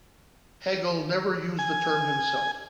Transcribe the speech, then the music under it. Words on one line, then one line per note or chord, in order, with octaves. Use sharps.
Hegel never used the term himself.
G#5